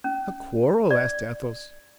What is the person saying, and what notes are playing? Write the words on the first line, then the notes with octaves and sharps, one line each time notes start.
"A quarrel?" asked Athos.
C#4
D5